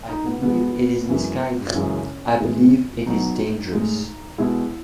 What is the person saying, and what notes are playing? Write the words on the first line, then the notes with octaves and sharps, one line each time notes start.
I believe it is misguided. I believe it is dangerous.
D#4
B3
B2 G#3 B3
F#2 E3 G#3
F#2 C#3 E3 G#3 C#4
A2 E3 G#3
B2 F#3 D#4
A2 G#3
B2 G#3 E4